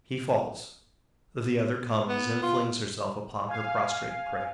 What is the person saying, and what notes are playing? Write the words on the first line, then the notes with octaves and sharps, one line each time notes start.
He falls; the other comes and flings herself upon her prostrate prey.
B3
F4
F5 G#5